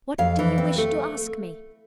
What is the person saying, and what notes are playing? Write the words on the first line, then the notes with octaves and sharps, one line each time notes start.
"What do you wish to ask me?"
F2 F5
E3
C4
A3